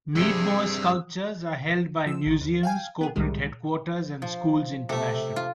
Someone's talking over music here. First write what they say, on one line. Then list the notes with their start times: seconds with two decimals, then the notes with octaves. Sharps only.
Meadmore's sculptures are held by museums, corporate headquarters, and schools internationally.
0.16 G2 C3 G#4 E6
2.06 F3 E6
2.27 A1 D#3
2.41 D#2
2.63 F5 G5 G#5
3.01 B3 G#4
3.16 C2 A2 D#3 G3 G#3
4.22 F3
4.89 C3 A3 A4
5.36 F4